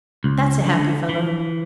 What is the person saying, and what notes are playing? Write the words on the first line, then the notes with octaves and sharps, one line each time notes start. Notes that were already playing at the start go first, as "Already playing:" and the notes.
That's a happy fellow!
C#2
D3
E3